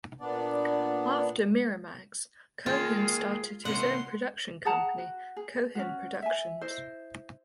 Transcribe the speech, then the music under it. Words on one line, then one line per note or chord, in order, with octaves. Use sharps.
After Miramax, Cohen started his own production company, Cohen Productions.
A#2 B3 D4 D5
A#3 F4 G4 G#4
C3 A#3 C#4 F#5 C6
G#4 F#5 A5 A#5
F#4
G#4
C#4 F#4
E5 G#5
E4 C5 D#5